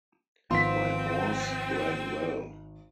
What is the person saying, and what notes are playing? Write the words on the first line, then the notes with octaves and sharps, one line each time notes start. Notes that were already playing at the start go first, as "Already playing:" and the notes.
My horse ran well.
G#1 F3 B3 C4 F4 C6 B6